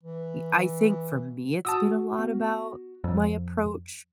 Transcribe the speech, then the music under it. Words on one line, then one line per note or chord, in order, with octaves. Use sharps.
y I think for me, it's been a lot about my approach,
E3
F#4 A5 D#6 E6
B3
F2